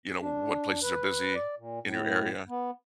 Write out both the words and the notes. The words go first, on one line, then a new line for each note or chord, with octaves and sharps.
you know, w what places are busy in your area.
D4
B4
D5
A#2
A2
B3